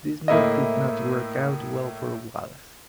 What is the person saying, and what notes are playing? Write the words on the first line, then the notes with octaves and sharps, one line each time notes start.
This move did not work out well for Wallace.
A2 A#3 E4 D#5